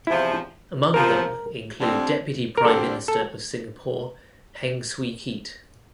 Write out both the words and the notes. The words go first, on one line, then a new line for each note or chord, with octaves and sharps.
Among them include Deputy Prime Minister of Singapore Heng Swee Keat.
E2 C3 F3 E4
E2 C3 F3 A#4
F2 D3 G3 C4
A#4
F2 D3 G3 C4 A4
A4